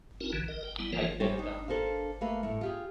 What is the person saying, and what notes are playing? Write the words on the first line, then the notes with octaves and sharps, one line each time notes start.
I did them.
C4 C#4 D#4 E4 F#4 A#4
A#1 D3 E3
A#4 D#5
G5
G3 B3 E4
E3 F3 A#3 F4 A#4 C#5
G3 C#4 G4 C5 C#5
D4 D#4
D4 A4 A#4 C5 F5
A3 A#3 B4 F5
A2 A3
F4 G4 G#4